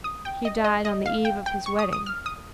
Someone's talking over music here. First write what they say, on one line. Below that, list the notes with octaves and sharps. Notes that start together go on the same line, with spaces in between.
He died on the eve of his wedding.
D#6
G5
D#5
D#5
D#5
F5
G5
G5
C#6
D#6
D#6
F6
D#6